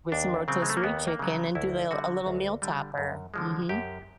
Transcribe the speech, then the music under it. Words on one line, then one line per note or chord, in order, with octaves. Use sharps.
With some rotisserie chicken and do a lil a little meal topper. Mhm.
D#2 D4
C#3 F#3 C4
G#3
A3
A#3
D#2 B3
A#3
C#3 F#3
D2 E4
D3 G3 F#4
D2
D3 G3
F#2
D3 F3 G#3
F#2 G4